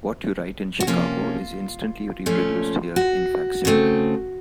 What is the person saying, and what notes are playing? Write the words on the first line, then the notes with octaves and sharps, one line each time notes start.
What you write in Chicago is instantly reproduced here in fac-simile.
F#4
C3 F3 A#3 C#4 F4
A#2 F3 A3 C#4
F#4
C#3 A3 C4